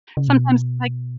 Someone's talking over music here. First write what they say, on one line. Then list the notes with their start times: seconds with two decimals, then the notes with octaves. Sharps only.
sometimes, like
0.17 C#3
0.28 B2